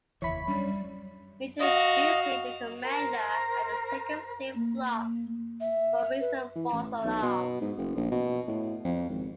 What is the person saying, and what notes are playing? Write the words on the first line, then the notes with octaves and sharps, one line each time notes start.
Major Beasley, the commander, had the second slave flogged for "raising a false alarm".
F1 D#2 E3 C#5 E5 B5
F#3 G3 C#4 D4
F#4 D#5 F5
A#4 C5
A#3
E5
B4
E3
A1
B1
B2
G#2
F#1
A#1
B2
A2
F2
G#1